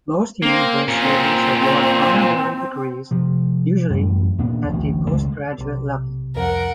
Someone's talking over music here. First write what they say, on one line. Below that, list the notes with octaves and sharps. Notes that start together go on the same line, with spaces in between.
Most universities award honorary degrees, usually at the postgraduate level.
A#3 C4
A#2 C#4
C4
C3 F3
A1 F#2 G3
D#2 A#2 B3 D4
D1 A1 D2 A2
C#2 G#3
B1 C3
C2 F2 A#4 F#5